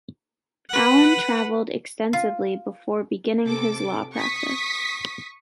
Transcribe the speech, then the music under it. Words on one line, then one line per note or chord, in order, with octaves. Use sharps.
Allan travelled extensively before beginning his law practice.
B4 F#5
F4
C3 A4 D6
C#6 D#6 B6